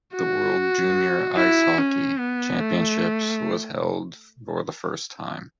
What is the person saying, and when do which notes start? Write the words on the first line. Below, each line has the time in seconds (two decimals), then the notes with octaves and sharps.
The World Junior Ice Hockey Championships was held for the first time.
0.15 F#4
1.37 E4
1.78 C#4
2.19 B3
2.60 A3